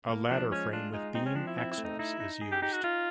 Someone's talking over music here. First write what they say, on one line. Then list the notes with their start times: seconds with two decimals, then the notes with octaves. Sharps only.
A ladder frame with beam axles is used.
0.09 A#3
0.30 F3 D4
0.51 G#3 C#4
0.73 D4 F4
0.93 G#3 D#4
1.15 C4 D#4
1.26 C#4
1.35 F3 D4
1.47 E4
1.57 C4 E4
1.71 E4
1.78 A3
1.84 D#4
1.99 D#4 E4
2.20 D#4
2.41 G#4
2.52 G4
2.62 D#4 G4
2.72 F#4
2.83 D#4 F4